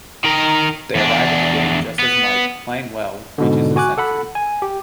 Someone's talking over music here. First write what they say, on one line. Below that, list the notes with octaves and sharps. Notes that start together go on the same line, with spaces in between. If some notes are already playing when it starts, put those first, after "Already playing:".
They arrive at the game just as Mike, playing well, reaches his century.
D#3 A#4
E2 D4
B3
G#2 B2 D3
F#4 G#5 D6 F#6
A4 F#5 B5
G#5
G4